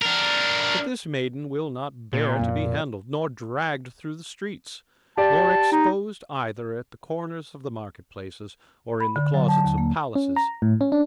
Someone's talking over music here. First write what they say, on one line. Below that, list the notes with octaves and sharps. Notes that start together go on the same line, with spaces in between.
But this maiden will not bear to be handled, nor dragged through the streets, nor exposed either at the corners of the market-places, or in the closets of palaces.
D4 A#4
A#2
F2 A#3
G4 D5 A5
D#4
B5
D3
F#3
A5
D#2
A#3
C#4
A#5
A2
C#4
D4